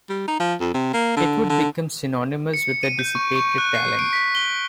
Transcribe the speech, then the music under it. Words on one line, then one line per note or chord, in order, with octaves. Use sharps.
It would become synonymous with dissipated talent.
G3
D#4
F3
F2
C3
A#3
D3
D3
C#7
D#7
G6
C#6
C#6
F#6
C7
D7
B6
G7